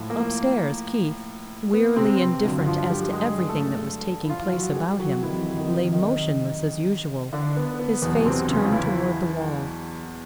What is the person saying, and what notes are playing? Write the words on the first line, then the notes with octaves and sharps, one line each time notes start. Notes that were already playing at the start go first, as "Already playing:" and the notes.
Upstairs, Keith, wearily indifferent as to everything that was taking place about him, lay motionless as usual, his face turned toward the wall.
Already playing: A2 F3
A#3
B3
C3 C4
G2 D3 F#3
F3 F4
G3 G4
G#3 G#4
A3 A4
E4
F3 F4
F#3 F#4
G#4
G3 G4
F#3 F#4
F2 C3 D#3 E3 F#3 E4
D#3 D#4
D#3 D#4
D3 D4
B3
B3
E2 B2 F#3 B3
C3 C4
C4
C#3 C#4
F4
E3 E4